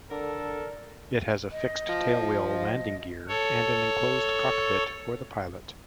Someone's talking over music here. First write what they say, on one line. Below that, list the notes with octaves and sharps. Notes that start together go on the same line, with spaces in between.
It has a fixed-tailwheel landing gear and an enclosed cockpit for the pilot.
D3 A4 A#4 D5
D#5
F3
D#5
A4 C#5